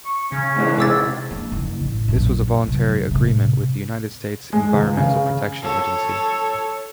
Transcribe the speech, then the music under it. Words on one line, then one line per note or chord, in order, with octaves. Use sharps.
This was a voluntary agreement with the United States Environmental Protection Agency.
C#6
C#3 C#4
G#2 E3 G#3
C3 D6 E6 A6
A#3 D4
F#1 D3
A1
A#1 F#2
F#2 C3
A2 C3
G#3
C#2
C#3
A4 C#5